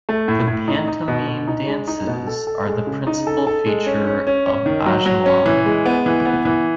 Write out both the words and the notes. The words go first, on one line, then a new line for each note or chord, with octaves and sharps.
The Pantomime dances are the principle feature of Ajilamu.
A3
A2
A2
D#4
D#4
B2
B2
D#4
G#3
D#4
B2
A4
A4
G#3
C#3
D#4
A4
A4
G#3
C#4
C#4
C#4
C#4
D#3
F#3
F#3
C#4
E3
G#3
B3
E3
B3
E3